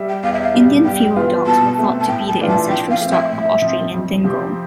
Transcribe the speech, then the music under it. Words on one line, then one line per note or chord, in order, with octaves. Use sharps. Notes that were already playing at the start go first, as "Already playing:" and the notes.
Indian feral dogs are thought to be the ancestral stock of Australian Dingo.
Already playing: G3 E5
G5
E2 F5
E5
F5
B2 G3
G2 G5
E3 B3 F4
B2 A5
A3 C4
A5
A2 G5
A5
E3 A3 D4 F4
A5
F3 G5
F5
A3 C4
E5
A2 E5
F3 C4
F2
C3 F3 C4 G4